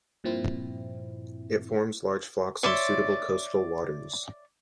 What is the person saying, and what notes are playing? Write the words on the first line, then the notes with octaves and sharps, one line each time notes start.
It forms large flocks on suitable coastal waters.
G2 A#2 F3 C4 E4
C#5 D5 E5 C6